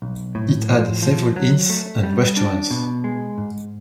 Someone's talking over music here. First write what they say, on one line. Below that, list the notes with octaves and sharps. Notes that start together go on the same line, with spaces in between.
It had several inns and restaurants.
B1
A2
F3
F3
F#3
A3
G3
D4
B2
G#3
G#2